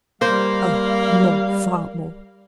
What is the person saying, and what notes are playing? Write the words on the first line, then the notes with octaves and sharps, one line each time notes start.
Oh, more--far more!
G3 A#3 C5 F5